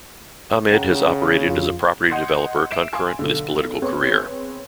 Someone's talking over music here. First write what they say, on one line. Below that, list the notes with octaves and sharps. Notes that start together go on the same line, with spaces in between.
Ahmed has operated as a property developer concurrent with his political career.
C#3 F#5 G5 A#5
F2 F4
D#5 F#5 C6 G6 G#6 C7
E5 C7 D7 E7
F5 G#5 C6
B1 D3
B3 C4 G#4 B4 C#5